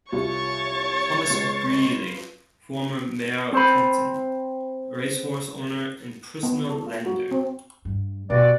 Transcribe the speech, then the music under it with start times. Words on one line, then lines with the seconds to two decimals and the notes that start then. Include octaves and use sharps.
Thomas Grealy - Former Mayor of Plumpton, racehorse owner and personal lender.
0.12 C2 F4 C#5 C#6 A6
1.30 C#2 F4 B4
3.53 C4 C5 B5
6.43 B3
6.69 A4
6.87 F4
7.06 F#4
7.31 C4
7.85 G2
8.30 G2 B2 F#4 D5